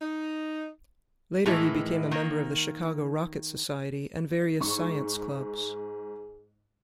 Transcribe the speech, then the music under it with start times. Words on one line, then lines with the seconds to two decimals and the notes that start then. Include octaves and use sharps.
Later he became a member of the Chicago Rocket Society and various science clubs.
0.01 D#4
1.46 A2 D#3 E3 G#3 E4
2.11 D#3 A#3
4.61 G#2 G#4 C#6